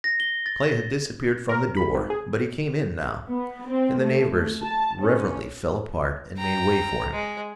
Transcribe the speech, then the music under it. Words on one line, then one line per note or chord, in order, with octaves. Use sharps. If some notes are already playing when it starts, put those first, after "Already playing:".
Clay had disappeared from the door; but he came in, now, and the neighbors reverently fell apart and made way for him.
A#6
G7
A6
A#4
B5
G#1
G#4
B3
C4
A3
A5
C#4
G5 A#5
G#3